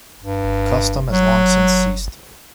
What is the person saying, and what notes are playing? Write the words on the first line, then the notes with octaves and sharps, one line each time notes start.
The custom has long since ceased.
G2
F#3